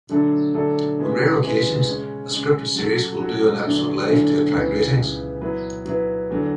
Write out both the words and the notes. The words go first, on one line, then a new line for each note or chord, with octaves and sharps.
On rare occasions, a scripted series will do an episode live to attract ratings.
D3 F#3 A3 D4 A4
D3 F#3 A3 D4 A4
C#3 E3 G#3 B3
C#3 E3 G#3 B3
C#3 G#3 C#4
C#3 G#3 C#4
F#3 C#4 F#4 A4
F#3 C#4 F#4 A4
E2 D3 F#3 A3 D4
E2 D3 F#3 A3 D4
C#2 C#3 E3 B3
C#2 C#3 E3 B3
F#3 B3 E4 B4
F#3 B3 E4 B4
E2 D3 F#3